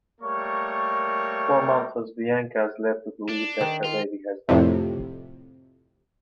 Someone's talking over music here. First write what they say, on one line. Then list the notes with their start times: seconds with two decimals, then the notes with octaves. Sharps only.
For months, Bianca is led to believe that her baby has died.
0.21 G3 A3 A#3 A#4 C#5 C#6
3.29 D4
3.61 D#3
3.84 F4
4.49 F2 A2 C3